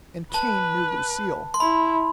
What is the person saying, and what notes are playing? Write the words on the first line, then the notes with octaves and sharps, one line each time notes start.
And Cain knew Lucille.
B4 A5
C6
E4 B5